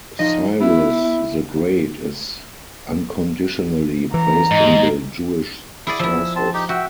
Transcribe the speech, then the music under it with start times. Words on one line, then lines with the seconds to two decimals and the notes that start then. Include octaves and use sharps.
Cyrus the Great is unconditionally praised in the Jewish sources.
0.19 F3 D#4 D#5
0.61 B3 E4
4.14 E3 A#5
4.51 G#2 D#5
5.87 E4 G#4 D5
5.99 F3 E4 E6
6.36 C4 A5
6.54 D#4 G4
6.69 F#4 E5 G5